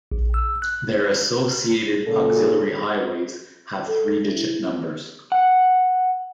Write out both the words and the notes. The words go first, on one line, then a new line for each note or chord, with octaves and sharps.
Their associated auxiliary highways have three-digit numbers.
A#1
E6
F#6
A#2 C#3 A4
A4
E4
F#5